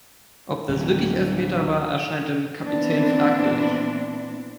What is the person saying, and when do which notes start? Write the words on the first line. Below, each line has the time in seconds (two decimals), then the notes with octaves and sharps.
Ob das wirklich Elfmeter war, erscheint dem Kapitän fragwürdig.
0.69 D1
2.63 A#2 E3 B3 C4 D4